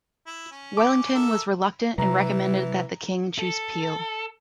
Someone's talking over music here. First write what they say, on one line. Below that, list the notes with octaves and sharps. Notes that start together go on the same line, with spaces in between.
Wellington was reluctant and recommended that the King choose Peel.
E4
C#4
D6
A4 A#4 E5
C3 E3 F#3 G3 A#5
A4